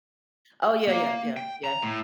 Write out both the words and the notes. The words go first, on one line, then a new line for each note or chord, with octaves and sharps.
Oh, yeah, yeah, yeah, yeah.
A#3
G5
A#5
A2